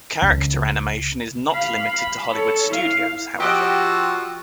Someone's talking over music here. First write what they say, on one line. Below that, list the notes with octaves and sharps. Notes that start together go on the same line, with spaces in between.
Character animation is not limited to Hollywood studios, however.
C#2
F5 B5
B5
A4 C#5
E4 F5
F3 F#4 G4 D#5 F#5 E6